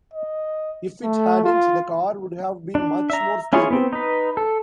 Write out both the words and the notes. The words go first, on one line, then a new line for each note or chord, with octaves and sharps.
If it hadn't, the car would have been much more stable.
D#5
A3
F4
D4
E5 A#5
C#4 E4 F4 G#4 C#5
B3 C4
D#4 B4
A4